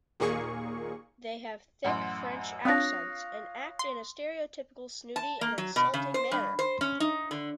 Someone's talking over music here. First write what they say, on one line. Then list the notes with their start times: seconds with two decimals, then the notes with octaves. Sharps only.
They have thick French accents and act in a stereotypical snooty and insulting manner.
0.20 D#2 A#2 A#3 G#4 C#6
1.84 A1 F#2 F#5 C6
2.65 C4 D4 F4 C#5 F5 D#6 F#6 A#6
3.79 C6
5.16 A5
5.41 A#3
5.58 F#3
5.76 B2
5.94 C#3
6.14 C5
6.31 G2
6.59 C5
6.81 C#4
7.00 D#4
7.31 D3